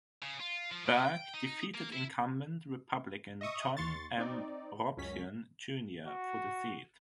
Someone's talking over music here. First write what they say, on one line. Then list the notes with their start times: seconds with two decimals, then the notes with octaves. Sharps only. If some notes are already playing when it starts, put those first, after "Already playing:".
Burke defeated incumbent Republican John M. Robsion, Junior for the seat.
0.22 C#3
0.40 F4
0.71 F3
0.86 C#3
1.05 G5
1.34 D#4
1.74 A#3
1.92 E4
3.41 D#5 E5 C#6 D#6
3.77 D#2 C6 C#6 A6
4.18 C4 D#4 D5
4.97 C#2 F#2 C#4 B6
6.06 F#4